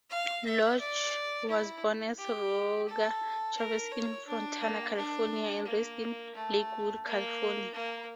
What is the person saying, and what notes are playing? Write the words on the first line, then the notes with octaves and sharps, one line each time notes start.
Lodge was born as Roger Chavez in Fontana, California and raised in Lakewood, California.
F5
E5
D5
E4
G4
A4
A#4
C#5
D4
A#3
D4
A#3
A3
A#3
A#3